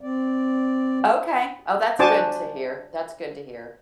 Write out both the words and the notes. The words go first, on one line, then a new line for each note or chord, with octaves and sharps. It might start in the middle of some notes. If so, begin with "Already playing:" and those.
Okay. Oh, that's good to hear. That's good to hear.
C4 D5
D4 F#4 C5 G#5 A5 D6